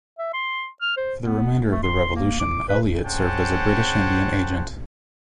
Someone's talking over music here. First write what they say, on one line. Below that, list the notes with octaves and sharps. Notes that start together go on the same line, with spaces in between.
For the remainder of the Revolution Elliott served as a British Indian agent.
E5
C6
F6
C5
B3
A3
C6
A#3
D6
B4
C#4 G#4 C5 F#5 G5 A5